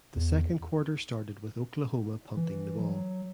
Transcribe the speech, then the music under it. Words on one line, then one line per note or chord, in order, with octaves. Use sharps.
The second quarter started with Oklahoma punting the ball.
E2
E3
F#3